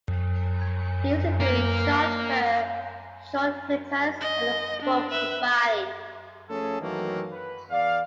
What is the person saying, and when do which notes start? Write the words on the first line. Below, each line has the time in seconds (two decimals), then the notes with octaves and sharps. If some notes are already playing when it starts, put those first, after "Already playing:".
These include short fur, short flippers and a bulky body.
1.40 A#3 F5
4.21 D#5
4.82 D4
5.11 B4 E5
6.50 F3 A3 C#4 G#4 A4
6.81 D#3 E3 F#3 A3 A#3
7.32 B4
7.70 E2 D5 F5